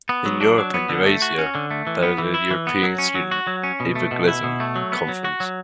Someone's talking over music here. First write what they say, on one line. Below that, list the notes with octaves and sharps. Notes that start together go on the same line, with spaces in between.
In Europe and Eurasia, there is the European Student Evangelism Conference.
B3
F#3
D4
F#3
B3
D3
A3
F#4
C#4
D3
A3
E3
B3
E3
E4
E3
B3
F#3
C#4
F#3
F#4
F#3
C#4
B2
A3
B2
E4
B2
A3
F#3
B3
F#3
F#4
F#3